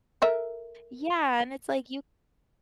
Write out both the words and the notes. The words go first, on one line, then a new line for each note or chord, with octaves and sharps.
Yeah, and it's, like, you
A4 A#4 E5